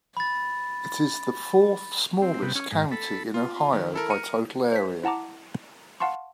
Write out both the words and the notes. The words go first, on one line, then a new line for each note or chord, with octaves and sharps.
It is the fourth-smallest county in Ohio by total area.
B5 A6
C4
C3 G3 B3
C#4
G#2
A4 B5
F4
D#3
E4 A4 A#4
A#4 C#7 D#7
C5 B6
E4 F#5 A5 A#5 D6
F5 F#5 A5 C6 C#6